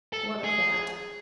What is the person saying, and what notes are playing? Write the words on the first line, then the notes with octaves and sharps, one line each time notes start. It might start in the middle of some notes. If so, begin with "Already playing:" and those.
What of that?
A4
G#4